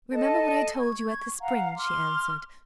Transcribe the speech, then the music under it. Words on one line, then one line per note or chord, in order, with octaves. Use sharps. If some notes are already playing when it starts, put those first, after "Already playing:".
"Remember what I told you at the spring," she answered.
A4 D#5 A5
C#6 G#6
F5 F#5 A#5
C6 D6 F6